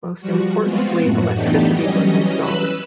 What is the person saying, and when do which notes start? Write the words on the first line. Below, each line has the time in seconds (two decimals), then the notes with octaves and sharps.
Most importantly, electricity was installed.
0.20 F3 G3 F#4
0.62 G#3 B3 C4 F4 F#4
1.01 F#2 A2 F#4
1.34 E3 A3 B3 D4 D#4 G4
1.74 E3 F#3 G3 C#4 D#5
2.38 B4 E6 F#6